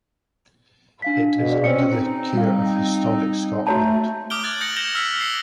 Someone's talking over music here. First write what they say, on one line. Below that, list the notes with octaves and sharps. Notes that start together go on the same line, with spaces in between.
It is under the care of Historic Scotland.
D4 F5 B6
B2
G#4 D5
C4 C#4 C#7
C4 D#4
G3 F5
A3 F#4 C#5 A5 A#5
D6 D#6 F6 G6 D7 G7
D6 F#6 G#6 A6 F#7
D#6 G6 A6 A#6 C#7 F#7
G6 A#6 E7 F7 G7
E6 F6 B6 C#7
D6 A#6 C7 F#7 G7